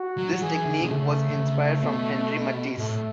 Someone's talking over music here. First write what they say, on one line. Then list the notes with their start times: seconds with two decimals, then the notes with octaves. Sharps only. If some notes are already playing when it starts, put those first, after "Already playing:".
This technique was inspired from Henri Matisse.
Already playing: F#4
0.18 F#3
0.33 F#3
0.41 E3 G#4
0.65 D3
0.81 B2
0.89 C#3 A3
1.30 D3
1.36 C#3
1.83 B2
2.78 A2 A3